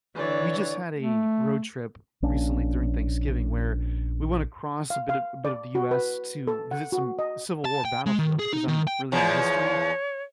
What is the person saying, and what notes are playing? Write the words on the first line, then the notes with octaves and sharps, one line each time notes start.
We just had a road trip recently during Thanksgiving where we went across a bit of a bit of the US to visit some Civil War battlefield 'cause I'm really into history,
D3 E3 C#5 D5
A3
A#1 A#3 C#4 D4
F5
F5
D5
F#4
B4
A4
F#5
F#4
D#5
A5
G5
G#3
D#3
G#4
D#4
D#3
G5
E2 F3 C#5